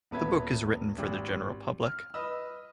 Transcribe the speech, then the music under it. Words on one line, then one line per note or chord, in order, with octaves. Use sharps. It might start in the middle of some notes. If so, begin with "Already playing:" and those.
The book is written for the general public.
D#1 B3 B4 E5 G#6
G#1 G4
F6
B4 D#5 E6